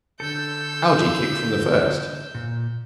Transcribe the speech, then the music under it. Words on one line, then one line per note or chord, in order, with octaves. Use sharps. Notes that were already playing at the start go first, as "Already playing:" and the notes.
Algie kicked from the first.
D3 A4 E6 G6
A#2